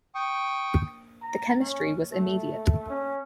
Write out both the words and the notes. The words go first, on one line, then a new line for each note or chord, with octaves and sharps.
The chemistry was immediate.
G5 C#6 D#6
A#5
C#4
A3
C#4